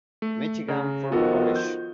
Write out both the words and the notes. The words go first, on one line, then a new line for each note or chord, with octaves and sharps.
Michigan for college.
A3
C#3 A#5
D#3 F3 B3 F4 F#4 A4
G6